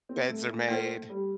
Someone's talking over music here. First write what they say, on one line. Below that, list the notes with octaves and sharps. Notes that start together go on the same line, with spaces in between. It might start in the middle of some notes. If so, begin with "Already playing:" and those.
beds are made,
C4
A3
A#3 E4 A4 C5
G3